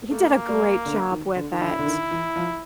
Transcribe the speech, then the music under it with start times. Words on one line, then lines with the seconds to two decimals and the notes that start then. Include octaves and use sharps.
He did a great job with it,
0.11 A3 A#3
0.49 G3
0.86 D3
1.11 D#3
1.36 D3
1.52 D#3
1.61 D3 E4
1.79 D3
1.86 D#3
2.11 E3
2.36 F3